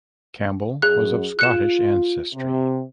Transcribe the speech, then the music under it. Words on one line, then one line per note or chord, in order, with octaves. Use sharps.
Campbell was of Scottish ancestry.
F#2 G#4 F#6
F4 F#6 C#7 E7
C3